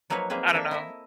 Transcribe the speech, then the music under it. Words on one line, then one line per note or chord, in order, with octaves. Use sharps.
I don't know,
F3 F#3 A#3 D#4 B4 C#5
G#3 A#3 C4 G#4 B4
A#3 D4 A4 E5
E4 D#5 E5